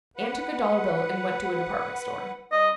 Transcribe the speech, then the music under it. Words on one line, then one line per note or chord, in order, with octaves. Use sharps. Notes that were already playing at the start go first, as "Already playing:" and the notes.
Ann took a dollar bill and went to a department store.
B4 F#5
G3 C4 D#5